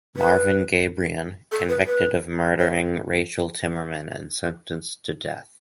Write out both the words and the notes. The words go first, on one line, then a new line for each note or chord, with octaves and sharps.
Marvin Gabrion - Convicted of murdering Rachel Timmerman and sentenced to death.
B4
A4
B4
B4
C#5